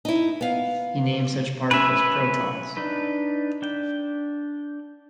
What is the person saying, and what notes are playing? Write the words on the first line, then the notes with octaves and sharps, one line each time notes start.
He named such particles protons.
D#4 E4
B3 F5
C#4 B4 E5
D4 D#4 B4
D4 G5